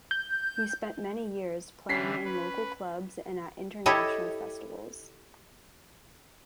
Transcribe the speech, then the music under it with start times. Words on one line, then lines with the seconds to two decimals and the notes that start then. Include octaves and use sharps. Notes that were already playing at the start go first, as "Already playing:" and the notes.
He spent many years playing in local clubs and at international festivals.
0.11 G6
1.89 D3 E3 G3 C#4 B6 C7
2.24 B4
3.86 E4 G4 A4 C#5 D#5